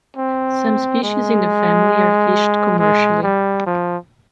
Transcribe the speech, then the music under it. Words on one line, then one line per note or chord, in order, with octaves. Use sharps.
Some species in the family are fished commercially.
C4
G#3
G#3
G3
F3